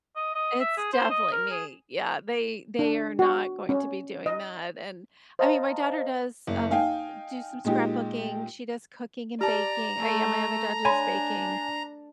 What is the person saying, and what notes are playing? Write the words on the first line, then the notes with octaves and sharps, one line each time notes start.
It's definitely me. Yeah, they they are not going to be doing that, and I mean, my daughter does, um, d do some scrapbooking; she does cooking and baking. Uh, yeah, my other daughter does baking.
D#5
D#5
E5
G#4
C5
D#5
A#4
G#4
D4
F#4
C#4
D#5
C5 D#5 F5 A5 A#5
F#1
D#4 F5 G5 G#5
A#2 G#3 D#4 G4
G4 D5 A5 A#5
A3
D4 C#5 G#5 B5 C6